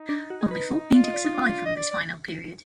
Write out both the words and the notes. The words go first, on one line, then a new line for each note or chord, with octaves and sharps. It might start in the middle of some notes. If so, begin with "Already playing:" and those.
Only four paintings survive from this final period.
Already playing: D#4
D4
F#4
G#4
B4
F4 D5
D#5
D5
D#4
D4
D#5
D5
D5